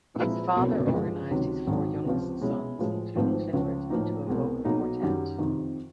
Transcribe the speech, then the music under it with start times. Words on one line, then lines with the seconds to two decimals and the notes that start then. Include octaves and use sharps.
His father organized his four youngest sons, including Clifford, into a vocal quartet.
0.18 A#2 F3 G#3 C4 E4
0.56 C2 B2 F#3 B3
0.93 G2 D3 F3 G#3
1.31 C#2 C3 D#3 F#3
1.67 G#1 G#2 D#3 F#3
2.04 C#2 C3 F3
2.41 B2 G#3 C#4 E4
2.79 A2 F3 G#3
3.15 G#1 G#2 F3 A3 C4
3.53 C#2 C#3 F3
3.90 A2 F3 A#3 D#4
4.27 C2 B2 G#3
4.65 B1 B2 F#3 A#3 D#4
5.02 F#2 D#3 G3
5.39 F2 C3 D#3